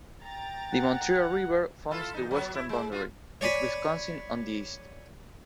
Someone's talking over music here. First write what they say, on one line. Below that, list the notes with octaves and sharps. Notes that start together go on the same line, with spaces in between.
The Montreal River forms the western boundary, with Wisconsin on the east.
G5 A#5 A6
F#5
E4 F4 A4
E2 D#4
F#3 B3 C#5
E4
G#3
F4 F#4
C#5 D5 G#5 B5